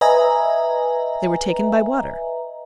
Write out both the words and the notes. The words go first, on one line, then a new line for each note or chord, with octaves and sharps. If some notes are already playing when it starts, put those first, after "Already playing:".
They were taken by water.
B4 D#5 E5 G#5 A#5